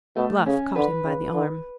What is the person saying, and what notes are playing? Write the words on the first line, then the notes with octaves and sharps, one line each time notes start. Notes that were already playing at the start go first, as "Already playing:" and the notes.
Bluff caught him by the arm.
B2 A3
C#3 C#4
D3 B4
C#3
D3